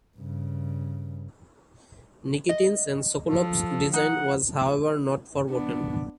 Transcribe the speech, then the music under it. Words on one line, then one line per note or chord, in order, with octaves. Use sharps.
Nikitin's and Sokolov's design was however not forgotten.
G2 C#3
D#5
F3 A4
D#4 F#5
B3 D4